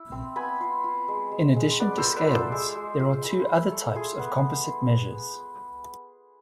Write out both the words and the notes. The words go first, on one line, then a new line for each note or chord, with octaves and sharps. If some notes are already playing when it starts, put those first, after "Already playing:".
In addition to scales, there are two other types of composite measures.
Already playing: E4
C4
B3 G#5 B5
F4
F4
G#3
G#3
G#3
B3 B4 D5
A4 C5
F4
B4 D5
F4
C5 E5
G#3 G#4
G#3
F4
E4
E4
A3
F4 G#4
B3